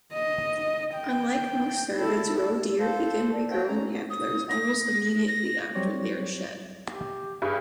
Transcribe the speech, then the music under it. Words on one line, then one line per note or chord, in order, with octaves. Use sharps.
Unlike most cervids, roe deer begin regrowing antlers almost immediately after they are shed.
D#5
G5
E4 A4
A4 C5 F5
D5
A3 C4 F5 G5
C#4 A#5
D#6
A#6
A#6
F#3 G3 C4 C#5 D5
G4
G2 G#4